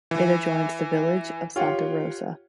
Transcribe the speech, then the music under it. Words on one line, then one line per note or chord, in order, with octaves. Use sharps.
It adjoins the village of Santa Rosa.
E3
F4 G4 C#5 F#5 G5